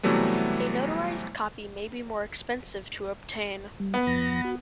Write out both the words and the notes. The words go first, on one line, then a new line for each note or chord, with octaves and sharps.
A notarized copy may be more expensive to obtain.
C3 E3 F#3 G3 A3 B3
G3
B3
F2 F3 A#6
F#4